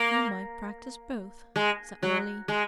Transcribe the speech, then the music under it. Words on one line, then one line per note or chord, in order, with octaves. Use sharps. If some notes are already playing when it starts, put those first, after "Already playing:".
"You might practise both," said Wally.
Already playing: A#3
G#3
F#3
G#3